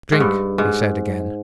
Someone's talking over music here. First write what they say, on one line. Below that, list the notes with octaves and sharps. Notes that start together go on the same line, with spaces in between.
"Drink!" he said again.
G#2
G2
G#2